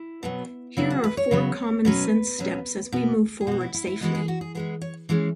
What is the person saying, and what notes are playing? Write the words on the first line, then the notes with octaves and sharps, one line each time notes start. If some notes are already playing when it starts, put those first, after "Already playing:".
Here are four common sense steps as we move forward safely.
Already playing: E4
B2 F#3 B3
C#3 F#3 B3 E4
F#4
B4
C#5
C#3 F#3 B3
B2 F#3 C#4 B4
B2 F#3 C#4
B2 B3
G#4
B2 B3 F#4
E4
E4
E4
E3 G#3 B3 F#4
G#4
F#4
G#4
E3 G#3 B3 G#4
C#5
E3 G#3 C#4 G#4